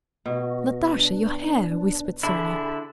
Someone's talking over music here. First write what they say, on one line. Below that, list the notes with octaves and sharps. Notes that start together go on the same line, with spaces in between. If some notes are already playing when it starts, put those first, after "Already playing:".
"Natasha, your hair!..." whispered Sonya.
B2 F#4
D4
D3 D4 E4 G#4 A5 B5